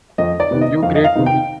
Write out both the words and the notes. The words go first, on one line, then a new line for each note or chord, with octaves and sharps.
You great booby!
F2 D#5
D5
C3 D#3 B3 D#4
D#5
F2 F5
D#5
F5
C3 D#3 B3 D#4
G5